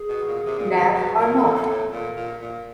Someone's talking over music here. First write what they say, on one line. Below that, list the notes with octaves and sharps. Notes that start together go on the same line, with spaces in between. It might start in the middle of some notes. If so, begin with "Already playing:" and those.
Knave or Not?
Already playing: G#4
B2
A#2
C3
A#2
B2
B2
A#2 A#4
A4
A2
A4
A2
A#2
A#2
A#2